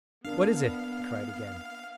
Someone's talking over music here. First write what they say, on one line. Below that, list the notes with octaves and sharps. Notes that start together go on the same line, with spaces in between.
"What is it?" he cried again.
B3 D4 A#4 F5